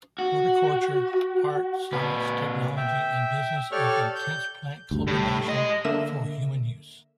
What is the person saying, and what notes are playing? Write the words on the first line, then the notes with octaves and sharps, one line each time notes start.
Horticulture - art, science, technology and business of intensive plant cultivation for human use.
F#4
A#2 B4
E5 G5
G4 A4 C#5 D5 C#6 F6
G6
D2 G2
A2 G3
G#3 D#5
D3 A#3 E5 E7